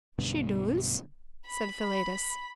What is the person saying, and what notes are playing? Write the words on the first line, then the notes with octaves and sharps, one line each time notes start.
"She doos," said Philetus.
B1 G2 B2 D3
B5